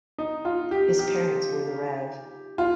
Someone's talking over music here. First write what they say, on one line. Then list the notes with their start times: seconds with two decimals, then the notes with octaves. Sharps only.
His parents were the Rev.
0.18 D#4
0.45 F4
0.71 G4
0.99 G4
2.58 F4